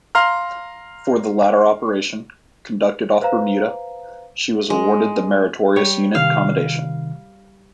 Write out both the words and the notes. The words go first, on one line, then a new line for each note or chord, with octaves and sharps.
For the latter operation, conducted off Bermuda, she was awarded the Meritorious Unit Commendation.
F5 A#5 C6 F6
B4 C5 F5 A#5
G#3
G3 C#5
C3 D#3 F5